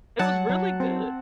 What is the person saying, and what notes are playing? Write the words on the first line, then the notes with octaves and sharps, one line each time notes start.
It was really good.
F#3 F#5 A5
F#3
C4